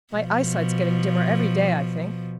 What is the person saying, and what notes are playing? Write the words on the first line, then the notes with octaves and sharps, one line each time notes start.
My eyesight's getting dimmer every day, I think.
B2 F3